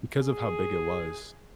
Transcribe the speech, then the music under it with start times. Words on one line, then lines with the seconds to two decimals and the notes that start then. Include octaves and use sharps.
because of how big it was
0.21 G#4